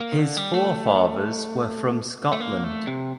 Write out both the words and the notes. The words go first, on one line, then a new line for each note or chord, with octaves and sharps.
His forefathers were from Scotland.
A#3
D#3
D3
G3
A3
A3
A#3
A3
C3